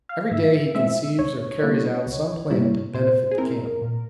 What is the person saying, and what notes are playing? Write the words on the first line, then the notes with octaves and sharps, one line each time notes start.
Every day he conceives or carries out some plan to benefit the camp.
F5
G#2 E5
E3 G#3 C4 E5
C#2 C#5
C3 G3 A#3 E4
C#2
C3 G3 A#3 E4
A#2 C5
G#4
G#3 C4 E4 A#4
A#2